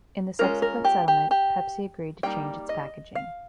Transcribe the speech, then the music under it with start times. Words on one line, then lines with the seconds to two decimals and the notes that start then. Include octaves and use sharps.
In the subsequent settlement Pepsi agreed to change its packaging.
0.39 G#3 C#4 F4 A#4
0.62 A#4
0.84 G4
1.08 G4
1.31 G4
2.23 G3 A#3 D#4 G5
2.69 D#5
3.15 F5